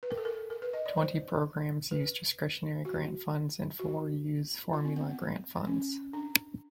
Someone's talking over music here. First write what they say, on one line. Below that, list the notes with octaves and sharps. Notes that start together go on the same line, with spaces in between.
Twenty programs use discretionary grant funds and four use formula grant funds.
B4
A#4
A4
A#4
A#4
B4
D#5
D5
C5
B4
F#4
F#4
F4
C4
B3
B3
C#4
D4